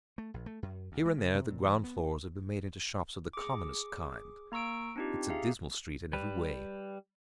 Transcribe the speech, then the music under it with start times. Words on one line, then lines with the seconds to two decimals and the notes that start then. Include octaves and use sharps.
Here and there the ground floors have been made into shops of the commonest kind; it's a dismal street in every way.
0.18 A3
0.34 A#1
0.46 A3
0.63 F#2
0.92 D2
1.06 G#3
1.18 C#3
1.35 C3
1.50 A#2
1.65 E3
1.84 B3
3.33 G#4 D6
4.52 A#3 A#5 C#6 E6 D7
4.96 C4 D4 D#4 F4 G4
5.29 G4 G#4 E5 F5 A#5
6.13 G3 B4